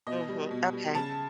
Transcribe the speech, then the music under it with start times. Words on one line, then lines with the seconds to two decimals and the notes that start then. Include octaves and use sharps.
Mhm, okay.
0.07 B2 D#5
0.29 G3
0.51 B2
0.73 G3
0.95 C#3 A5